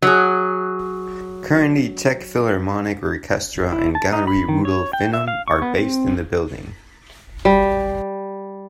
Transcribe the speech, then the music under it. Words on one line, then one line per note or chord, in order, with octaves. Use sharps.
Currently Czech Philharmonic Orchestra and Galerie Rudolfinum are based in the building.
F#3 G#4
E4
A5
D#4
B5
D#3
C#5
G5
E5
F5
C#6
B3
C4
G3